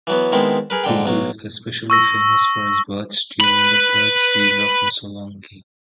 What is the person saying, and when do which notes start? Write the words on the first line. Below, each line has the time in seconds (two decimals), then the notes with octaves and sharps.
He is especially famous for his words during the Third Siege of Missolonghi.
0.07 E3 F#3 B3
0.32 D#3 G#3 B3 C4 E4
0.70 G#4 A#4 B4
0.84 G#2 D3 G5
1.05 B1 F#3
1.90 C#6 E6 A#6
3.41 B4 B5